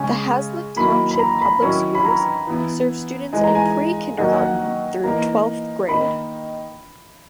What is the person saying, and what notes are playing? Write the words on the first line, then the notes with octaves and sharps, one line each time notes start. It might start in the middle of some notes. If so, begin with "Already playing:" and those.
The Hazlet Township Public Schools serve students in pre-kindergarten through twelfth grade.
Already playing: C#3 G#3 C#4 G#5
D#3 F#3 A#3 E4 B5
B5
A#5
B5
D#3 F#3 C#4 E4
B5
A#5
E3 B3 E4
E3 G#3 D#4 G#5
A#5
G#5
D#3 F#3 A#3 D#4 F#5
G#5
F#5
E3 A#3 D#4 A#5
D#3 A#3 D#4 B5